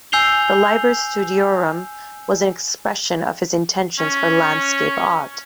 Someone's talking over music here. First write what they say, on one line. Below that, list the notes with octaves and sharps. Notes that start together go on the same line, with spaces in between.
The "Liber Studiorum" was an expression of his intentions for landscape art.
G#5 E6 G6 C7 F7 G7
C#4